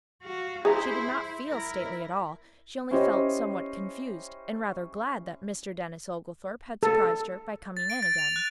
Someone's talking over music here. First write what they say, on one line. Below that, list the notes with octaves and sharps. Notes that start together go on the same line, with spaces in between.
She did not feel stately at all; she only felt somewhat confused, and rather glad that Mr. Denis Oglethorpe had surprised her by coming again.
F#4 F5
E4 G#4 C5 E5 A#5
E4 A#4
C#4 E4 G4 C5 C#5 D#5
A4
A6
D7
A6
F7
F#6